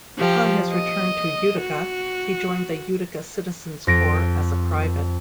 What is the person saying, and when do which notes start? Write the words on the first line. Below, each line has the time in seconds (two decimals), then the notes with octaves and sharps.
Upon his return to Utica, he joined the Utica Citizen's Corps as a private.
0.17 F3 G4
0.72 D#5
1.61 F#4
3.87 F2 A#6 D7